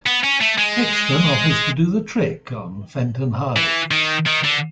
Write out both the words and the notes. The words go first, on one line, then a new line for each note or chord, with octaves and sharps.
Hexton offers to do the trick on Fenton Hardy.
B3
C#4
A3
G#3
E3
D#3
D#3
D3